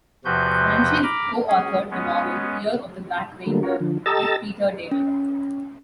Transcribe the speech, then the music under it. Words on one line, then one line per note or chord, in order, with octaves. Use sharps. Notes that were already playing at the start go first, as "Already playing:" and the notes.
Sanchez co-authored the novel "Year of the Black Rainbow" with Peter David.
E2 C3 F3 F#4 B4 G6
A#5 B5 D6 F6
C#4 G#4
G#3 B3 C#4
D3 F#3 G3 A3 A#3
C#4 F4 F#4 A#4 C#5
D3 F3
G4 A4 D#5 A#5 E6 A6
C#4